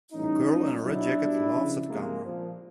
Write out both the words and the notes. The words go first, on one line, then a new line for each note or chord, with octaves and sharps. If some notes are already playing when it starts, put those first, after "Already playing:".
A girl in a red jacket laughs at the camera.
A2 E3 G3 C#4 D#4
A2 F#3
B2 F#3 D4 E4
B2 G3
C#3 F3
C3 F3 G#3 A#3
A#2 F3